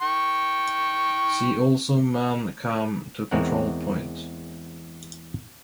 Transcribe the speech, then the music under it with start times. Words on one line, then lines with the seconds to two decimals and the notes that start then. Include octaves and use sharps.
See also Man Kam To Control Point.
0.02 G5 C#6
3.31 E2 G#3 C4 A#4 C#5 F#5